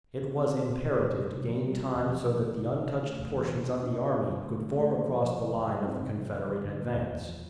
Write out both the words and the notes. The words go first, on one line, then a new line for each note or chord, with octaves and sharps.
It was imperative to gain time so that the untouched portions of the army could form across the line of the Confederate advance.
D3
C4
C4
A#2
A#2
A#2
C3
C3
F3
G3
C4
E2
F3
A#3
C3
C3
C3
C3
A3
E2
E3
C3
D4
D4
D4
D3
D3
A3
A3
A3
A#3
F3
F3
C3
E2
G3
C4
C3
F3
G2
D3
G2
A#3
E2
E2
F3